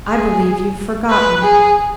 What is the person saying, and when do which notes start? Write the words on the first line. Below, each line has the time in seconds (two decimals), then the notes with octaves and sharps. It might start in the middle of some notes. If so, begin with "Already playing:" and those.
"I believe you've forgotten."
0.08 G#4
1.10 B4
1.43 G#4